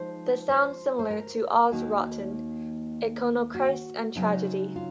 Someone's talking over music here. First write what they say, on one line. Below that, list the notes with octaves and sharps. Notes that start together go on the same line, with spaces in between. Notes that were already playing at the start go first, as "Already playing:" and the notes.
They sound similar to Aus Rotten, Econochrist and Tragedy.
Already playing: F3 G#3 D#4 C5
C5
C5
A#4
D#2 D#3 A#3 D#4 F#4
F#4
C#3 F#3 C4 D#4
F4